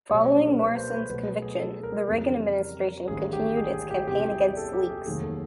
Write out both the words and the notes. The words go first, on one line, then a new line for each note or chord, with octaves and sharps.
Following Morison's conviction, the Reagan administration continued its campaign against leaks.
B1 A#2 G3 C#5
D5
A#4
B4
C5
B4
B1 B2 F#3 A3 B4
G#4
A4
A#4
F2 C#3 E3 G3
A1 G#2 D#3 G3 G#4
G4
G#4
G#4
G4
E2 C3 E3 G3 G4
G#4
A4
G4
G#4
F1 D#2 D#3 F#3 A3 G#4
A4